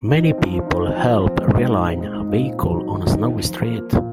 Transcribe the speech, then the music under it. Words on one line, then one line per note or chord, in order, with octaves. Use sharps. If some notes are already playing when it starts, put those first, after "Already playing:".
Many people help realign a vehicle on a snowy street.
D#4
C4
F3
F3
D#4
C4
F3
F3
C4
G#3
D#4
A#2
C4
G#3
D#4
A#2
C4
F#3
D#4
D#3
D#4
C4
F3
F3
A#3
F3
A#2